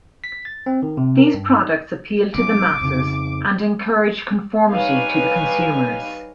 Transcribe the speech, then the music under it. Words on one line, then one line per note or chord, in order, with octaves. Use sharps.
These products appeal to the masses and encourage conformity to the consumers.
B6
A6
C4
D#3
C3
A#4
G2
D#4
A1 F#3 D6
F2 C#3
G3 D#4 B4 C#5 F5 G#5